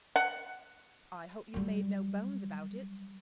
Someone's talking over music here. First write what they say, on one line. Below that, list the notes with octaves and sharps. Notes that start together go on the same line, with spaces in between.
"I hope you made no bones about it."
F#5
F#3 G3